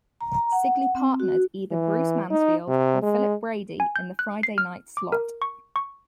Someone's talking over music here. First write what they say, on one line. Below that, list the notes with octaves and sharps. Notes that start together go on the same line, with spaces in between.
Sigley partnered either Bruce Mansfield or Philip Brady in the Friday night slot.
A#5
A#5
F#5
F#5
C4
F#4
E3
D#4
C3
G#3
G#5
G6
F#6
C7
F6
D6
A#4
C#6
C#6